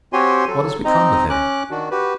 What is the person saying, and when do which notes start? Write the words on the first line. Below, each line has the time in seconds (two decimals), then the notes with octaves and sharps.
What has become of him?
0.13 C4 F#4 G4 C#5 G#5 C6
0.48 F#3 A4
0.85 C4 D#4 D#5 A#5
1.30 C#4 D6 F#6
1.71 D#3 D4 F#4
1.91 F#4 G4 B4